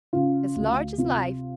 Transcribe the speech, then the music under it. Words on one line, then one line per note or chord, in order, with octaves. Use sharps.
"As large as life."
C#3 F4
D2
C3 F4